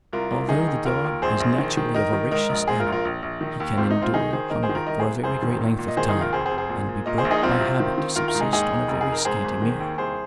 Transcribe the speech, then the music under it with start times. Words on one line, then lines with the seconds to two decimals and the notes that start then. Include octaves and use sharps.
Although the dog is naturally a voracious animal, he can endure hunger for a very great length of time, and be brought by habit to subsist on a very scanty meal.
0.13 C2 F4 A#4
0.31 C2
0.48 D#3 D#4 G#4
0.68 D#2
0.85 D#2 F4 A#4
1.04 D#2
1.22 A#1 G#4 C5
1.40 A#1
1.58 D#3
1.77 D#3
1.94 D#3 A#4 D#5
2.13 D#3
2.31 G#2 A#4 D#5
2.49 A#1
2.68 G#2 G#4 C5
2.80 F4 A#4
2.87 A#1
2.92 F4 A#4
3.05 A#1
3.22 A#1
3.41 D#3
3.60 D#2
3.77 G#1 C4 F4
3.90 D#4
3.96 G#2
4.02 C4 F4
4.14 D#3 D#4 G#4
4.33 D#3 G#4 C5
4.50 D#3 A#4 D#5
4.63 G#4 C5
4.69 D#3
4.75 F4 A#4
4.87 C2 A#4 D#5
4.99 G#4 C5
5.05 C2
5.23 F1 G#4 C5
5.42 D#3
5.61 A#2
5.79 A#2
5.88 D#5
5.97 D#3 G#4 C5
6.09 D#4 G#4
6.15 D#3
6.21 F4 A#4
6.33 F1 G#4 C5
6.46 G#4 C5
6.51 F1
6.58 G#4 C5
6.69 A#2
6.89 A#2
7.06 A#2 A#4 D#5
7.18 G#4 C5
7.25 A#1
7.30 D#4 G#4
7.42 C2 C4 F4
7.61 C3
7.80 D#3
7.98 D#3
8.15 D#3 F4 A#4
8.28 F4 A#4
8.35 G#2
8.40 D#4 G#4
8.53 D#2 D#4 G#4
8.70 D#2
8.88 F1
9.01 G#4
9.07 F1
9.12 A#4
9.25 G#2 G#4 C5
9.44 G#1
9.62 D#3
9.80 D#2
9.98 C2 G#4 C5